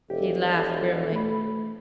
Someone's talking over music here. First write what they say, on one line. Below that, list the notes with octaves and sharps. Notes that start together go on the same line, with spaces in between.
He laughed grimly.
E1 G4 A4
A3 B5